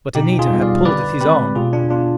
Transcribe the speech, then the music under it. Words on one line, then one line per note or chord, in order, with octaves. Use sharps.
But Anita had pulled at his arm.
B2 D#4 G4
F4 G#4
G3 B3 D#5
D5 F5
D3 B4 D5
G#3 C4 G4 B4
B2 F4 G#4
D4
B3 D4 F4